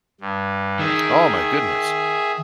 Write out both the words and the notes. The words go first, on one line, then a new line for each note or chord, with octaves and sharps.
Oh my goodness.
G2
D#3 G#4 E5